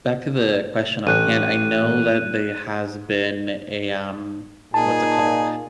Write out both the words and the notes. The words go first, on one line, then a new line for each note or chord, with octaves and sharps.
back to the question on hand, I know that they has been a, um, what's it called,
A1 F#6 D#7
A#2 D#4 G#4 A5